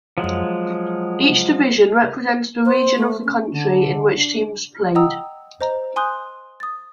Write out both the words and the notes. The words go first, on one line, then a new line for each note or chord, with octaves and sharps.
Each division represented a region of the country in which teams played.
F3 F#3 G#3
C5
A3
C#4
D3
D4
D#5 F#5 G5 A#5 D#6 E6
C5 D#5 A#5
G#5 C6 D#6 F#6 G6
D#6 A6